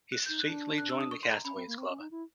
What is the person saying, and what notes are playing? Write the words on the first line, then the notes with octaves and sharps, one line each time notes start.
He subsequently joined the Castaways' Club.
F#6
D#4 G6
F#6
D4
F#6
E6
D#6
C#6
C6
A#5
C#4 B5
C4
A#3
C4
C#4
D#4
E4